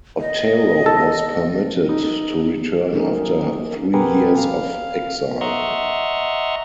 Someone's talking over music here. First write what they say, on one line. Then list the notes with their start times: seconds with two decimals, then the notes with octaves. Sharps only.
Otero was permitted to return after three years of exile.
0.20 D#5
0.86 A4
1.89 D#4
2.92 F#3 A#3 C#4 D#4 G#4 A#4
3.94 B2 B3 G4 G#4 A#4 B4
4.38 F5
5.41 D#5 E5 F#5 A#5 C6 C#6